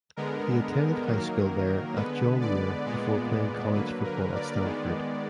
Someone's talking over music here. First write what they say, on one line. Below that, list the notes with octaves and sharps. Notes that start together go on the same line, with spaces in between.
He attended high school there at John Muir before playing college football at Stanford.
D3 G#3 B3 A#4
D#3 F#3 A#3
D3 G#3 B3 B4
D5
A#2 G#3 B3 D5
D3 F#3 A#3 B4
A#4
D5
D#3 G#3 B3